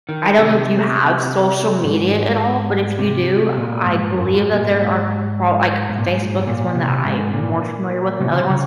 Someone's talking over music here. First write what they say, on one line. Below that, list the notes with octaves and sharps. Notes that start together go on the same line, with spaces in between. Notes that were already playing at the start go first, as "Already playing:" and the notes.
I don't know if you have social media at all, but if you do, I believe that there are pro like, Facebook is one that I'm more familiar with than other ones.
D#3
C3
G#2
C3
A#2
G#2
F#2
G#2
A#2
G#2
G#2
A#2
G#2
G#2
A#2
C3
G#2
A#2
C3
C#3
C3
C#3